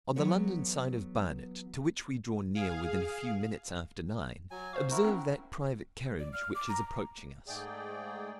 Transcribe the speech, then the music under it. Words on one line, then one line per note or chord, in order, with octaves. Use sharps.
On the London side of Barnet, to which we draw near within a few minutes after nine, observe that private carriage which is approaching us.
E3 F#3 B3 A4 C#5
G#4 F5
F#3 G#5
C5 F5 C#6
E4 F#4 A#4
C4 C#4
D5
F6
D6
A#5
G#2 A3 G#4 D5 G5